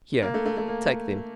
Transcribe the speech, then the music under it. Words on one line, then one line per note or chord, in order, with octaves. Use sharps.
Here, take them!
A#3
A3
A3
A3
A#3